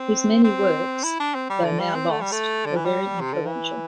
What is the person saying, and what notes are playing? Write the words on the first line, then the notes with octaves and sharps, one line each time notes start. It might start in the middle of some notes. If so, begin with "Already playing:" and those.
His many works, though now lost, were very influential.
Already playing: C4
C4
E4
D4
C4
G3
D3
G3
C4
A3
G3
A3
D3
E3
G3
C3
D3
E3